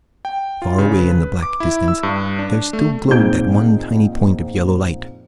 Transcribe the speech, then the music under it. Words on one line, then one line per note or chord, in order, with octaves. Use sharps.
Far away in the black distance there still glowed that one tiny point of yellow light.
G5
F4
C#3
B4
D6
E4
E6
G2
D4
A3
A#1 C4 D#4 G#4 G6 D7